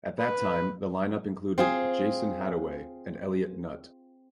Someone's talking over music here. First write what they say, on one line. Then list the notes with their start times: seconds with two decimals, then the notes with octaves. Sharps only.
At that time, the line-up included Jasun Hadaway and Elliott Nutt.
0.19 B4
1.58 C4 F4 G#4